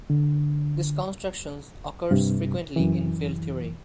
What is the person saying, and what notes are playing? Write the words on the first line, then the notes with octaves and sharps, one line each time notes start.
This construction occurs frequently in field theory.
D3
G2 C3
F#2 E3